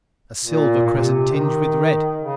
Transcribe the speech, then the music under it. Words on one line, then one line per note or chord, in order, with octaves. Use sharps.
A silver crescent, tinged with red.
A#2
A#2
C3
D#3
C#3